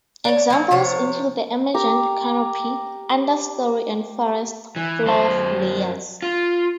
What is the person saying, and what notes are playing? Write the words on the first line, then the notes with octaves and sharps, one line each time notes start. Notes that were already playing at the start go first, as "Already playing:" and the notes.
Examples include the emergent, canopy, understorey and forest floor layers.
D4 C#5
F#3 A#3
C3 F3 C#5
G4 A#4
E3
F#2 C5
F4